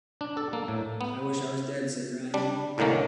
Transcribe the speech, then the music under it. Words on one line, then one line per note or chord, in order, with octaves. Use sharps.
"I wish I was dead," said Ryan.
D4
A4
A#3
A2
B3
G3 D4
C2 A2 D3 D#3 A#3 C#4